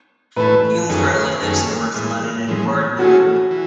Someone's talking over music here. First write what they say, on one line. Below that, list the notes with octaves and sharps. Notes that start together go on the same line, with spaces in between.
Hume currently lives and works in London and Accord, New York.
A2 E3 A3 B4
F#2 D#3 A3 C#4 G#4
F#2 D#3 A3 C#4 G#4
A2 E3 G#3
A2 E3 G#3
E3 A3 C#4 F#4 G#4
E3